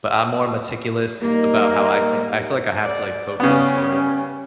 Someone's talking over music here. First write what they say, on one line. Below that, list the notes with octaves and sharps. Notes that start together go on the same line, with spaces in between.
but I'm more meticulous about how I clean, I feel like I have to like focus or
G3 A#3 D#4 A#4
D5
C#3 G3 B3 C#4